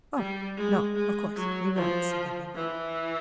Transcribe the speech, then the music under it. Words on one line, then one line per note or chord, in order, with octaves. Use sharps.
'Oh, no, of course we won't!' said everyone.
G3
G#3
G#3
F#3
F3
E3